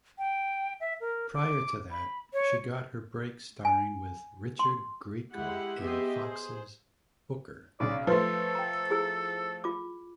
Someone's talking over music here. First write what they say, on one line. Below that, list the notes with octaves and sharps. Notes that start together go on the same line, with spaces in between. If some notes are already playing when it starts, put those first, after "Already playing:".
Prior to that, she got her break starring with Richard Grieco in Fox's "Booker".
G5
E5
A#4
D6
B5
C#5
G#5
C6
G#3 E4 G4 F#5
B3 G4 G#4 D#5 E5 C6
G#4 C5
B1 C#3 D5
F3 A3 A4 B4 C6
G5 A#5
E4 G#4 E6
F4 D6